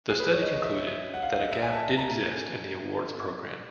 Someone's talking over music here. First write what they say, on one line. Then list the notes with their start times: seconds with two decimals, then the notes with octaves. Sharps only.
The study concluded that a gap did exist in the awards program.
0.09 G#4
0.20 B4
0.32 C#5
0.42 D#5
0.53 D#5
0.63 E5
1.14 F#5
1.23 F5
1.31 E5
1.40 D#5
1.51 E5
1.62 G#5
1.73 A5
1.89 A5
1.98 A#5